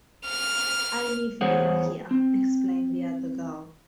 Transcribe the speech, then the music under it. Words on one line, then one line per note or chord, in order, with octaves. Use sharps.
"I live near here," explained the other girl.
F6
E2 G#4 C5 C#5 F#5
C4